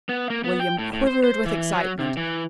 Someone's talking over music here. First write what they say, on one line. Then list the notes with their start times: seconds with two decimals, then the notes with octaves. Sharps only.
William quivered with excitement.
0.09 B3
0.30 A#3
0.44 B3
0.60 G5
0.79 A2
0.93 A2
1.07 C5
1.24 C5
1.46 E3
1.72 F#3
1.99 C3
2.17 E3